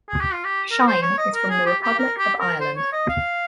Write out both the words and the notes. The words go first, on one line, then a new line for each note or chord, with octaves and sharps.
Shine is from the Republic of Ireland.
G#4
G4
F4
G4
A#4
C5
C#5
D#5
A#4
G#4
G4
G4
A#4
G4
A#4
C5
C#5
D#5
F5